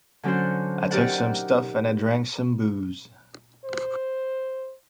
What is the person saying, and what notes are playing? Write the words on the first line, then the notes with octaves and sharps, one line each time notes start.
I took some stuff and I drank some booze.
D3 F#3 C#4 D4 F#4 C5
D#4 G4 A#4 D5 F#5
C5